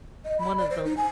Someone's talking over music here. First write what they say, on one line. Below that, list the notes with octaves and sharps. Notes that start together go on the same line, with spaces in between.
one of the l
D#5
B5
D5
C5
D#4
G#5